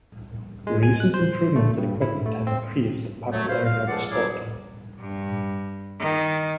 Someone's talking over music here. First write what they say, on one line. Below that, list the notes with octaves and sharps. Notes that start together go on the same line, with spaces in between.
Recent improvements in equipment have increased the popularity of the sport.
G#3
G#5
F#6
C5
A3
G2
E4
A3
C4
F#3 A3 C#5
B4 C5 F5
F5
C#2 F3 G#3 A4 D5 F#5
A2 F#3 E4 G#4 D5 D6
G2
D#3